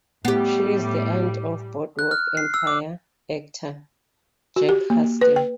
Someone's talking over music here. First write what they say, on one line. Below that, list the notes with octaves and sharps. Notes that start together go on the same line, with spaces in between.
She is the aunt of "Boardwalk Empire" actor Jack Huston.
A2 G3 B3 G4
F#6
F6
C7
E6
D6
F#4
G4
A#3
B4
G5